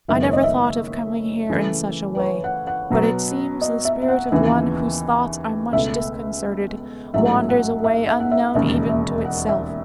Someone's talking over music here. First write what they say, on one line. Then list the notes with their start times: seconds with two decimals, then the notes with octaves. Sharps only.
I never thought of coming here in such a way; but it seems the spirit of one whose thoughts are much disconcerted wanders away unknown even to itself.
0.08 F#1 F#2 D#3 G#3 B3 E5
0.22 C#5
0.33 D#5
0.44 E5
1.49 C#3 E3 A3
2.15 B4
2.19 C#5
2.44 F#5
2.67 F#5
2.90 B2 F#3 B3
3.61 D#5
3.85 E5
4.02 E5
4.08 F#5
4.32 D#2 C#3 E3 B3 E5
5.72 C#2 B2 A3 E5
7.14 A1 G#2 F#3 A3 E5
7.49 F#5
7.84 E5
8.07 E5
8.20 F#5
8.31 E5
8.54 E1 D#2 C#3 E5
8.89 E5
9.25 F#5
9.49 E5